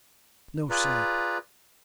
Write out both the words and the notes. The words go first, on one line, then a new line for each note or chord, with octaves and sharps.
"No sir."
F4 G#4 B4 D5 A#5